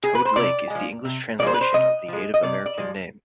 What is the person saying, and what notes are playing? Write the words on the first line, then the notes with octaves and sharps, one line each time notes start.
Toad Lake is the English translation of the Native American name.
G#4
B4
C5
C3 D5
F3 G#3
C3
F3 G#3 C5 D5
B4
C5
C3 D#5
F3 G#3
D#5
C3 D5
D5
F3 G#3